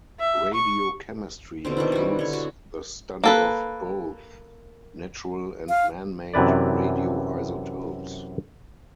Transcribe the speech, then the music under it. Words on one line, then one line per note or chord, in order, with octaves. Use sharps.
Radiochemistry includes the study of both natural and man-made radioisotopes.
E5
C#6
B2 D3 C4
D#3 D4 E4
G3 F#4
D3 C#5
F#4
A#3 A4 B4
F5
F#2 C3 E3 B4 D5